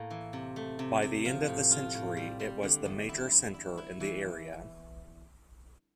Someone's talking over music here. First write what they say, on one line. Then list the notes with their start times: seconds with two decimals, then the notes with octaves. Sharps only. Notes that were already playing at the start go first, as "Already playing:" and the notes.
By the end of the century it was the major centre in the area.
Already playing: A2 A#3
0.10 E3
0.33 C3
0.56 A3
0.79 C3
1.02 C3
1.25 F3
1.48 A2
1.71 F4
1.94 A2
2.17 G3
2.40 G3
2.63 D3
2.85 E2
3.09 E4
3.32 E4
3.54 E4
3.77 E4
4.00 E3